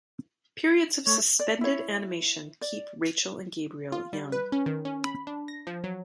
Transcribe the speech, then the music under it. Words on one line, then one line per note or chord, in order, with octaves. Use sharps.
Periods of suspended animation keep Rachel and Gabriel young.
A3 C#5
D5
E4 C#5
D5
F4
G3
B4
C#4
D#3
C#4
B5
D4
A#6
F3
F#3